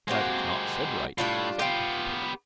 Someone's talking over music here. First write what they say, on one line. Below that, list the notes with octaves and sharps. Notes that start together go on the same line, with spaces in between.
'That is not said right,' said the Caterpillar.
G#3 A#3 C4 F#4 G4
A2 G3 D4 F4
B3 F4 G4 F5 G5